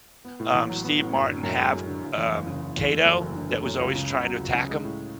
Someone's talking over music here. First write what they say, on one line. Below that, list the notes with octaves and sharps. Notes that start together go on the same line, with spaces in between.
um, Steve Martin have, um, Cato that was always trying to attack him?
B3
A2
A1
F#3
B3
A2
F#2
D3
F#2
G#3
F#2
D3
F#1
E2
F#1
C#3
F#1
E2
A3
F#2
F#1
D3
A3
F#2
C#2
C#3
C#2
F#3
C#2
C#3
G#3
A2